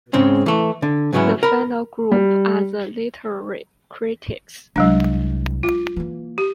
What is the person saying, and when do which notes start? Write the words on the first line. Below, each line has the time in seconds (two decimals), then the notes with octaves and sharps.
The final group are the literary critics.
0.13 G#2 C#3 G#3 C4 C#4
0.46 E3 A3
0.82 D3
1.13 G#2 C#3 F#3 B3 C#4 E4
1.43 A#4 B5
2.12 G3
4.76 C2 F#3 G#3 D4
5.63 F4
5.96 E3 A#3
6.38 G4